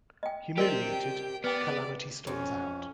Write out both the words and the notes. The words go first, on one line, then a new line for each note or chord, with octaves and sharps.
Humiliated, Calamity storms out.
D#5 G5
G4 A#4 C5 D5 D#5 G5
B3 B4 D5 G5
F2 C#4